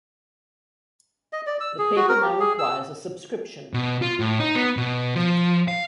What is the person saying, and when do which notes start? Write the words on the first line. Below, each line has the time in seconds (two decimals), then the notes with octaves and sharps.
The paper now requires a subscription.
1.33 D#5
1.47 D5
1.61 E6
1.78 G#4
1.96 F#4
2.09 A#4
2.22 G4
2.40 G#4
2.59 E6
3.74 B2
4.02 F4
4.19 A2
4.40 D#4
4.55 B3
4.77 B2
5.15 F3
5.68 F5